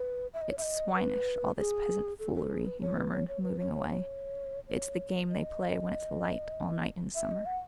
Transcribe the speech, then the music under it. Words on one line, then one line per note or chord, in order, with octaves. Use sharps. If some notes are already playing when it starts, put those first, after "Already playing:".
"It's swinish, all this peasant foolery," he murmured, moving away; "it's the game they play when it's light all night in summer."
Already playing: B4
E5
D#5
C#5
E5
D#5
B4
G#4
A4
A4
G#4
B4
C#5
B4
C#5
C#5
B4
C#5
C#5
C#5
C#5
D#5
E5
D#5
F#5